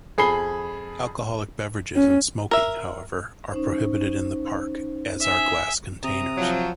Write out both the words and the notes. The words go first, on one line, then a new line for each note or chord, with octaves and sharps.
Alcoholic beverages and smoking, however, are prohibited in the park, as are glass containers.
F2 G#4 B5 G#6 C7 G7
C#4
A#4 E5
C#4 D#4 C5
G#4 E5
C3 A#5 D#6
F3 F#3